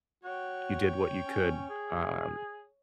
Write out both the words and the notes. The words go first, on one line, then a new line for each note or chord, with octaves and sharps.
you did what you could, um,
F#4 C#5 G5
C#4
G#4